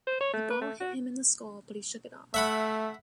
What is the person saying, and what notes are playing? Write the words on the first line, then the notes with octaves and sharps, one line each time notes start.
The ball hit him in the skull, but he shook it off.
C5
C#5
A3
B4
A3
F#4
A3 E5 F#5 B5